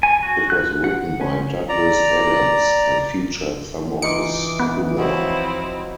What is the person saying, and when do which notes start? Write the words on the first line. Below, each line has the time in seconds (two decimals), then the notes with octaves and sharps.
It was written by Douglas Adams, and featured some of his humour.
0.03 G#5
0.23 F#4
0.50 F#6
0.84 F#5
1.21 C#4
1.69 D5 A#5
4.02 E3 D#4 F4 D6 C#7
4.60 B3
4.97 F3 F#3 C4 E4 F#4 D#5